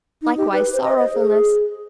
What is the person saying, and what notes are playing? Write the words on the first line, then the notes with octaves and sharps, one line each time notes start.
Likewise sorrowfulness!
D#4
G4
B4
C5
D#5
C5
G#4